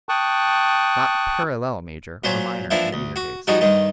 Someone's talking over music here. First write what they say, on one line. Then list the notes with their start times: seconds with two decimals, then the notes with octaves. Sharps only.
Not "parallel" major or minor in either case.
0.09 G5 A5 C#6 D#6 F#6
2.24 A#2 F#3 C#4 C5
2.70 E3 F3 A#3 D4 E4
2.93 D2
3.16 F#4
3.47 F3 G3 D#4 F#4 G#4
3.61 G2 D#3 D#4